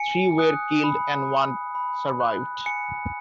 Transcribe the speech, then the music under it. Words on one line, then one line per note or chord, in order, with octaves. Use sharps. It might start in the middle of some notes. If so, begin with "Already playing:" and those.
Three were killed and one survived.
Already playing: G#5 C#7
D#6 F#6
B5
F#6
B5
F#6
G#5 C#7